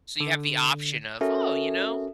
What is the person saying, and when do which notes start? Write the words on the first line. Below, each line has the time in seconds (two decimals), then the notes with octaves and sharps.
So, you have the option of, "Oh, you know,
0.20 D3
1.21 C#4 F#4 A4 A#4 E5